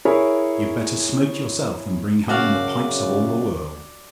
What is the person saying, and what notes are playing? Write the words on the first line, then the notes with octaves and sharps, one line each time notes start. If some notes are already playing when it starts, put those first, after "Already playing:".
You'd better smoke yourself, than bring home the pipes of all the world.
E4 G#4 A#4 C#5
F#2 C#3 F#4 D5 F5